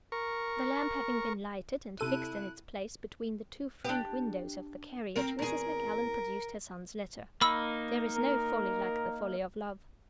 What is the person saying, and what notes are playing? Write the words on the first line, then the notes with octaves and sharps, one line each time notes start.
The lamp having been lighted, and fixed in its place between the two front windows of the carriage, Mrs. Macallan produced her son's letter. There is no folly like the folly of love.
A#4 C#6
C3 E4 A4 F#6 D#7
D4 G4
C4 A#4
E2 G#4 A#4
A#3 D#4 B5 E6
A#4